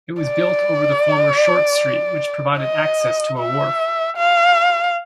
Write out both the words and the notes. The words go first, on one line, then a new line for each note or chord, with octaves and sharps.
It was built over the former Short Street which provided access to a wharf.
D5
D#5
E5
F5